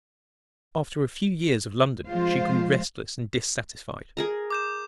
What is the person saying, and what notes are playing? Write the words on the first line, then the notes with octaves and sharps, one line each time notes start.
After a few years of London she grew restless and dissatisfied.
F2 F3 G#3 F4 C5 F5
G#4 A#4 A#5
D6 G6 E7